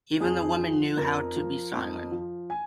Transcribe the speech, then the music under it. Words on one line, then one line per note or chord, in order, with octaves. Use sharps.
Even the women knew how to be silent.
F2 G#4
F3
F2 A#4
F3
F2
F3
G#5